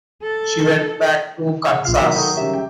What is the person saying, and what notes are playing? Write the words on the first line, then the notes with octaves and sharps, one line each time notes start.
She went back to Kansas.
A4
G#4 C#5 F#5
A#1 F4 F5
D#3 F#3 A#3 E4 F#4 G5 B5
D#4 F#4 A4
C#3 G3 G4 E5
G5